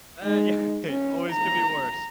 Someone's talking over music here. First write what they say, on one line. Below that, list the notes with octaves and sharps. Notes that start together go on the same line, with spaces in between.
Uh, yeah. Hey, it always could be worse.
G#3 D#4
C#4
A#5